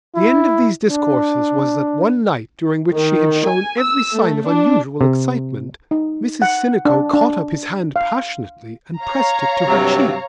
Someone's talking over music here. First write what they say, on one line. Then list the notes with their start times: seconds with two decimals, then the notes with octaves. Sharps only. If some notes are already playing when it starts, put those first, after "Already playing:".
The end of these discourses was that one night during which she had shown every sign of unusual excitement, Mrs. Sinico caught up his hand passionately and pressed it to her cheek.
0.15 E4
0.89 D4
2.94 D#3
3.45 G#5
3.79 E6
4.13 A3
4.47 D4
5.01 C3
5.91 D#4
6.42 F#5
6.85 D4
7.13 D4
7.96 F5
9.02 C#5 F5 A#5
9.67 G2 C3 F#3